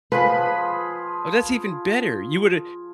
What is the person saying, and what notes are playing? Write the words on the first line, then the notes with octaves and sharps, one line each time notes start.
Oh, that's even better. You woulda
F3 G#4 B4 B5